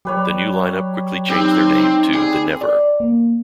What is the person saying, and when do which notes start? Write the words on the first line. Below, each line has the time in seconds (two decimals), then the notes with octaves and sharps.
The new lineup quickly changed their name to The Never.
0.05 F#3 G3 B4 C#5
1.29 C4 D#4 G4 B4
2.14 G3 C4 G#4
2.61 D5
3.00 A#3